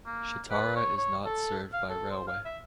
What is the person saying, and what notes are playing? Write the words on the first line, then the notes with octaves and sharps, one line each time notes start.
Shitara is not served by railway.
A#3
B4
C#5
C#5
A4
F5
A4
C5
F5
E5